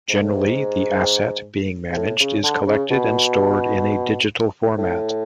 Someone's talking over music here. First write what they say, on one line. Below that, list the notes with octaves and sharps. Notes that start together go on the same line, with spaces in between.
Generally the "asset" being managed is collected and stored in a digital format.
G#2
A2
G#2
G#2
A2
C#3
D3
C#3
B2
A2